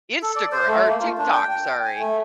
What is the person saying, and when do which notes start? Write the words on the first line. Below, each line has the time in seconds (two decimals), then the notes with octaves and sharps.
Instagr or TikTok, sorry,
0.22 A4
0.36 D5
0.52 C5
0.67 A3
0.88 A#3
1.00 F4
1.18 D4
1.32 G5
1.51 G5
1.65 G5
1.85 G#5
1.99 A3